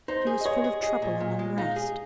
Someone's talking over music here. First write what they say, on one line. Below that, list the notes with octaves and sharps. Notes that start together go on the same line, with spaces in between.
She was full of trouble and unrest.
D#4 C5
G#4
D#5
G#4 C#5
G#4
G#4 D#5
A#2
A#2
G#3
D#4 F5
G#4